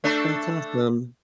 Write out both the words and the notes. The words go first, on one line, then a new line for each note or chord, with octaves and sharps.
That's awesome.
A3 D4 A4